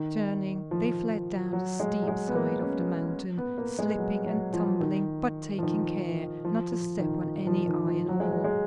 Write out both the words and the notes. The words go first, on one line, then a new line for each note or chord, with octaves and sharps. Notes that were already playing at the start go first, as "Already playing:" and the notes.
Turning, they fled down the steep side of the mountain, slipping and stumbling, but taking care not to step on any iron ore.
Already playing: D#3
F3
F#3
G#3
F#3
G#3
B3
A#3
C#4
B3
A#3
G#3
F#3
F#3
F3
D#3
F3
D#3
F3
F3
D#3
F3
D#3
F3
F#3
G#3
F#3
G#3